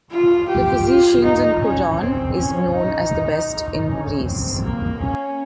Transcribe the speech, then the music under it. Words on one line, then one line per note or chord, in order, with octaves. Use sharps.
The physicians in Croton is known as the best in Greece.
F4
G4
F4
D#4
C#4
C4
C#4
D#4
C#4
C4
A#3
C#4